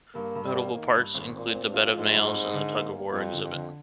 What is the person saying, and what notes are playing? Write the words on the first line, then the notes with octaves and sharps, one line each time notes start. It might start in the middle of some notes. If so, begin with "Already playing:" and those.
Notable parts include the bed of nails and the tug of war exhibit.
G2 A#3
G2
G3
A#3
D#3 A#3
G2
G#1
A#2 C4
C4
G2
F4
G#2 F3
G2
C4
D3
A#3
A#3
F2 G3
D3
F2
D3